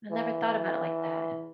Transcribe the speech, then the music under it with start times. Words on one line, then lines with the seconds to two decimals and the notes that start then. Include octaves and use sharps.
I never thought about it like that.
0.11 E3